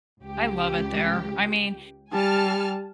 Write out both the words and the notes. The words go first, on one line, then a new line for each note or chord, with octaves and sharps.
I love it there, I mean
C#2 G4
G3 G#5 A5 F6